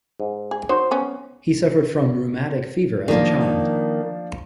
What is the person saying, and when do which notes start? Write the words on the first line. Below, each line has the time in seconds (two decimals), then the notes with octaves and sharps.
He suffered from rhuematic fever as a child.
0.20 G#2
0.51 G#4
0.69 D#4 F#4 C5 C#5
0.91 B3 C#4
3.08 D#3 F3 A#3 D4